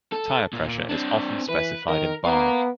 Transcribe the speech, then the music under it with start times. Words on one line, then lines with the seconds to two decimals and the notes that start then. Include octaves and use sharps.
Tire pressure is often specified in bar.
0.13 A4
0.53 A#2
0.89 C4 D4
1.49 E3 B4
1.88 D#3 A#4
2.25 B3 F5 A#5